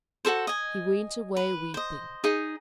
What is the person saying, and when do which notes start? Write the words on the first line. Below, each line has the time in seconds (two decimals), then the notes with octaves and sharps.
He went away weeping.
0.25 F#4 G#4 A4 C5
0.47 D#5 G#5
1.37 B4
1.74 C5 D#5
2.24 D#4 G#4